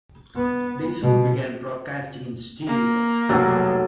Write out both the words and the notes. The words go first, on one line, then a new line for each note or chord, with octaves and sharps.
They soon began broadcasting in stereo.
B3
B2
A#3
F1 B1 F#3 A4